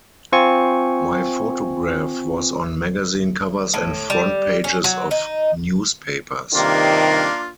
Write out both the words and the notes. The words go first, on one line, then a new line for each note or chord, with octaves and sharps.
My photograph was on magazine covers and front pages of newspapers.
C4 F4 G#5 C#6
A2
G3
C#4
F#3
D#4
G2 C3 D#3 A#3 D4 F4